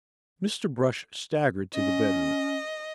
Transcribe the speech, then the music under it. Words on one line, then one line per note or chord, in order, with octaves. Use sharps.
Mr. Brush staggered to the bedroom.
C#4 D#5